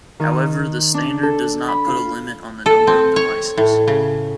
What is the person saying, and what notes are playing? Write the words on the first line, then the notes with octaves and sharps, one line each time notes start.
However the standard does not put a limit on the number of devices.
D#3
D4
A4
B5
F4
A4
C4
C#5
A2
C#3